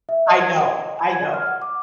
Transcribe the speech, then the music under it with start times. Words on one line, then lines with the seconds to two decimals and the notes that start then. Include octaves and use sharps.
I know, I know.
0.09 E5
0.27 D#5
0.39 G#6
0.53 F#5
0.65 D#5
0.97 G#5
1.12 G#6
1.34 F6
1.47 F#5
1.62 D6